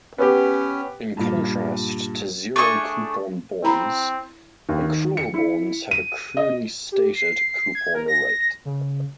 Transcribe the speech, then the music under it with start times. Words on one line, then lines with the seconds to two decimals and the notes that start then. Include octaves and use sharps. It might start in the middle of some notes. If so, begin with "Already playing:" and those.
In contrast to zero-coupon bonds, accrual bonds have a clearly stated coupon rate.
0.18 B3 C#4 G4
1.17 G2 A#2
2.56 A3 D4 G#4 C#6
3.64 C4 E4 A#5 B5
4.69 D#2
4.82 D#3
5.17 C#7
5.34 E4
5.91 D#7
6.37 D#5
6.92 G4
7.15 C7
7.75 G#6
7.94 A#4
8.08 A#6
8.65 C#3